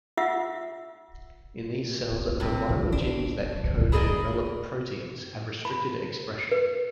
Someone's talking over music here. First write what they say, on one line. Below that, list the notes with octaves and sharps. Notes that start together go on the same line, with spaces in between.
In these cells the viral genes that encode envelope proteins have restricted expression.
F4 E5 F#5 E6
G2 C3
D4
E4 G#4 A#4 B4 D5 D#5
B5
B4